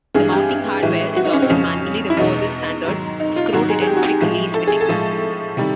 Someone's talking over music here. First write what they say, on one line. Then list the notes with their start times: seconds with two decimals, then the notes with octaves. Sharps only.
The mounting hardware is often manually removable standard-screw-detent quick-release fittings.
0.15 G2 E3 G#3 G#4
0.32 G4
0.83 A2 E3 G#3
1.16 F#4
1.25 D#4
1.33 C#4
1.42 C4
1.50 F2 C#3 F3 C#4
2.10 E4
2.17 E2 B2 G#3 D#4
2.85 G#2 D#3 F#3
3.20 D#4
3.36 F4
3.53 G#2 D#3 F#3 F#4
3.70 G#4
3.82 G#4
3.87 G4
3.97 F#4
4.04 G4
4.21 A2 F3 G#3
4.55 A4
4.68 G#4
4.81 A4
4.89 A2 F3 G#3
5.57 C3 D#3 G3